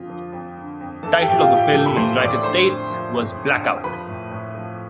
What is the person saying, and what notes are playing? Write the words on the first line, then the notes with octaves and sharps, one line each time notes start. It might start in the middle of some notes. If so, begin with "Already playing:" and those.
The title of the film in the United States was Blackout.
Already playing: F2 D3 F4
F3
F2
D3
F2
E3 A4 A5
G4 G5
A2
F4 F5
A2
G4 G5
E3 A4 A5
B5
E3 C5 C6
A2 D5 D6
D3 C5 C6
F2
F3
F2
D3
F2
F3 B4 B5
A2
A2
F3